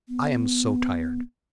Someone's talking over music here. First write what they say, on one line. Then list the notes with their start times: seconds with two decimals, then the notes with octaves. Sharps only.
I am so tired.
0.08 B3